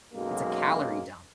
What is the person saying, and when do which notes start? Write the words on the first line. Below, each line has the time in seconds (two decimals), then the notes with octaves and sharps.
it's a calorie dump.
0.14 B1 F#2 G#3 A#3